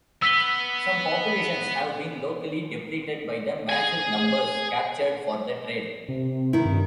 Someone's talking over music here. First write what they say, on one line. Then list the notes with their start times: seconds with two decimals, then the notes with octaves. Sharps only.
Some populations have been locally depleted by the massive numbers captured for the trade.
0.22 B3 E6 B6 G7
3.70 G#4 G#5
6.09 C3
6.53 D#3 E4
6.65 G2